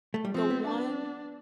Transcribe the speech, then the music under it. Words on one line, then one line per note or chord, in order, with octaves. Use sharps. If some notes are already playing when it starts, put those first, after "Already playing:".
the one
A3
G3
F3 C4
B3
D4